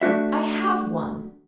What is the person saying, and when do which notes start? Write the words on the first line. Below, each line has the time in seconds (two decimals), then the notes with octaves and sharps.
"I have one."
0.01 A3 D4 F#4 E5